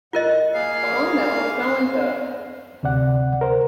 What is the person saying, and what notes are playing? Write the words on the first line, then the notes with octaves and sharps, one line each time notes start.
Among them was Melantho.
A2 F4 A#4 D#5 F#5
A#3 G#4 F5
D2 C3 D5 F#5
A#4 C5